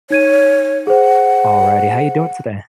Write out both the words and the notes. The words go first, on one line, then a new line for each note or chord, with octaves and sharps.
Alrighty. How you doing today?
D#4 C#5 G#6 D#7
G#4 C5 F#5